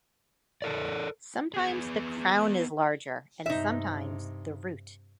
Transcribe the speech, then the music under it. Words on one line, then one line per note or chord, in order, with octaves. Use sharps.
Sometimes the crown is larger and sometimes the root.
A4 A#4 D5
B3 G#4
G2 C3 D#4 E5